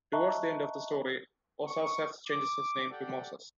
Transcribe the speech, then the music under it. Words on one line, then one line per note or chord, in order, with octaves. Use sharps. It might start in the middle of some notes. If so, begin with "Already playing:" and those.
Towards the end of the story Osarseph changes his name to Moses.
D#5 E5 A5 A#5 C#6 F#6
C#6
D6
G4 A4 D5 F#5 G5